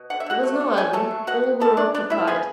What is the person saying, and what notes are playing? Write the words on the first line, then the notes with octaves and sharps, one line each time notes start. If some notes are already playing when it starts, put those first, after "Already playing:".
There was no other, all were occupied.
Already playing: B2
D3 F#5
E5
D3 F#4 F#5
A3
A3
B2 G#4 G#5
A3 A4 A5
F#3
B2 F#4 F#5
B2
B3 A4 A5
G#3 D4 D5
B2 D4 D5
D3 E4 E5
B3 G#4 G#5